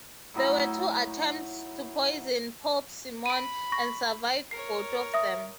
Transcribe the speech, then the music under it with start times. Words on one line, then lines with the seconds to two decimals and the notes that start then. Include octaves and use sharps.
There were two attempts to poison Pope Simeon and he survived both of them.
0.34 A2 F#3 D#4 E4
3.26 B5 D7 D#7
3.72 C#6 A#6
4.51 A#4 C#5 C7
5.14 E5 D#6 A#6